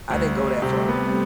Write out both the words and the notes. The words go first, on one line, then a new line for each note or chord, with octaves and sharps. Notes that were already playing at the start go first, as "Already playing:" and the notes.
I didn't go that far.
D2 G3
D2
A3
C3
B3 C4